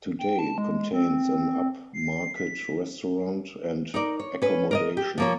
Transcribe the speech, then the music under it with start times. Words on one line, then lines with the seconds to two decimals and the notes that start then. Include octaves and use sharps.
Today it contains an up-market restaurant and accommodation.
0.19 G5
0.39 A5
0.58 G#3
0.93 C4
1.94 C7
2.35 B6
3.94 D#4 A#4 D5
4.19 C#5
4.42 C#4 B4
4.71 A#4 D5 D#5
4.97 G4
5.18 F3 A#3 C#5